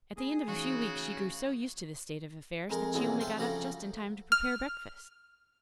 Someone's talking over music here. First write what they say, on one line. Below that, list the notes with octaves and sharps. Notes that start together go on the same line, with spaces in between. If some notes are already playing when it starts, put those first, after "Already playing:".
At the end of a few weeks she grew so used to this state of affairs that she only got up just in time to prepare breakfast.
A#3 G#4 B5 D#6
C#3 E3 A3 D#4 F#4
D#2
F2 G#3 A#4
B1 A2 C3 E3 G#3 B3
C4 D4 A4 C5 E5 F5
C#3 F3 G3 F#4 A4 A#5
F6